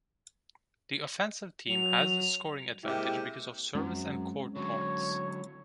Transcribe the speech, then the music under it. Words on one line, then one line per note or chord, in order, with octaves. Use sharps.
The offensive team has the scoring advantage because of service and court points.
F#3 F7
C3 G#3 A#3 E4 G4
F#2 F#3 G#3 C4 C#4
D3 F#3 C#5